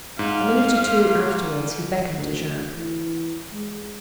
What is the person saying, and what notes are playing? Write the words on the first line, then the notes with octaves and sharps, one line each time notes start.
A minute or two afterwards, he beckoned to Jacques.
G#2 F5
D2
E3
G#3